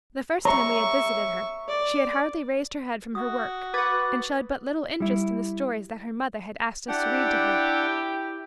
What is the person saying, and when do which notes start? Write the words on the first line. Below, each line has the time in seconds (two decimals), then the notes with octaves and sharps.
The first time we had visited her, she had hardly raised her head from her work, and showed but little interest in the stories that her mother had asked us to read to her.
0.45 C#5 E5 A#5 C#6
1.68 D5
3.15 F#4 D#6
3.74 B4 F#5 D6 G#6 A6
5.00 G3 E4
6.89 D4 E4 G4 F#5